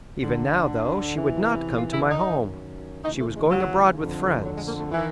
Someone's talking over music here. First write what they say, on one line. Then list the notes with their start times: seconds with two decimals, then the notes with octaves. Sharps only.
Even now, though, she would not come to my home. She was going abroad with friends.
0.20 D2 D3
1.15 E2 C3 E3
1.78 F4
1.93 E4
2.09 F#2 D#3 D#4
3.03 D2 C#3 E3 D#4
3.19 A3
3.35 G#3
3.50 F#3
3.98 F2 D3
4.45 F#3
4.56 G#3
4.68 A#3
4.80 A3
4.91 D#3 E3